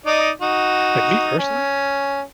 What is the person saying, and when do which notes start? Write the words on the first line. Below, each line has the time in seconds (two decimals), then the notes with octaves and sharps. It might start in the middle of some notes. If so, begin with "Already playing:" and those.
like me personally,
0.06 D#4 D5 D#5
0.42 D#4 F#4
1.39 C#4